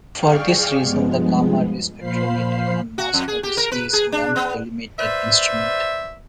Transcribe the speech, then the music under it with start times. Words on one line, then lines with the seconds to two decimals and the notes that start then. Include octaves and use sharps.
For this reason, the gamma ray spectrometer on Mars Odyssey is a non-collimated instrument.
0.13 G#4 D5 F5 G5 C#6 F6
0.79 G2 F3 G#3 B3
1.98 A#2 F3 C5 F5 B5 C7
2.98 F#4
3.13 F2
3.28 G#4
3.43 G4
3.57 A#4
3.72 B4
3.93 G#4
4.12 D4
4.36 B3
4.99 B4 C5 D5 E5